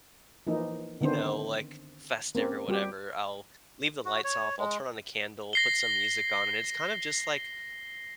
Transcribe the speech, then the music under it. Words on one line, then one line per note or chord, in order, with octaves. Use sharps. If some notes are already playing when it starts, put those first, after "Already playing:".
you know, like, festive or whatever, I'll leave the lights off. I'll turn on the candle, put some music on, and it's kinda just, like,
E3 F3 A#3 D#4
D3 D#3 B3 C4 D4 C5
A#3 C4 C#4
G3 F#4 G4
F#4
C#5
G#3
A#6 C7 G7